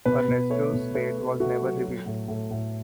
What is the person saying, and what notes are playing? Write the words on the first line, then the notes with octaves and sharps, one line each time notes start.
Ernesto's fate was never revealed.
B2 B4
B2
A3 C#5
B2
A3 B4
A3
A3 F#4
F#3
F#3
A2
A2
A2